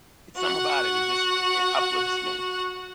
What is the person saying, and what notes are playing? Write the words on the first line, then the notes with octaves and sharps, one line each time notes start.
It's something about it, it just, eh, uplifts me.
F#4 F#5